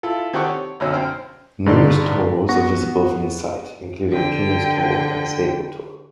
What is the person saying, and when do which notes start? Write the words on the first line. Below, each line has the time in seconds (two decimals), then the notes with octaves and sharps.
Numerous tors are visible from the site, including King's Tor and Staple Tor.
0.03 E4 F4 A4
0.33 D#3 C4 G4 A4 F#5 C#6
0.48 C#5
0.80 B1 F#2 D3 F#3 C#4 E6
0.93 F#2 C5 G5 F6
1.66 G2 D3 D#4 D5
2.49 B3 F#5 C#6 A#6
4.12 D3 G5